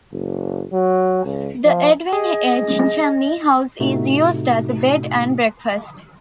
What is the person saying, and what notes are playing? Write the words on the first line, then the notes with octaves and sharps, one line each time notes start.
The Edwin H. Cheney House is used as a bed and breakfast.
F#1
F#3
C#2
F3
G#4 D#5
A2 C3 A3 D#4 F#4